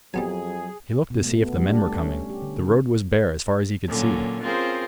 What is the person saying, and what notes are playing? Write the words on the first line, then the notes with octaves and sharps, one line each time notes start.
He looked to see if the men were coming; the road was bare as far as he could see.
F2 F#3 G3 B3 G#4 G#5
B2
A3
B3
G3
D4
A3
C#4
G4
D3
C#3
A#2 D3 F#3 A#3 C#4
C4 C#4 F4 G#4 A#4 C5